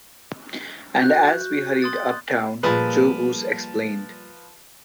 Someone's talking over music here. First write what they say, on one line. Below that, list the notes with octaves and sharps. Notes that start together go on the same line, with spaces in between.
And as we hurried up town, Joe Goose explained.
F#4 F#6 G6
C6 D#6 A6
A#2 F3 G3 G#4 B4